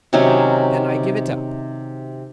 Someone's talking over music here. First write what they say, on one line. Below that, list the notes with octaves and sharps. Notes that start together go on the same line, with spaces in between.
"Then I give it up."
C3 D#3 F#3 C#4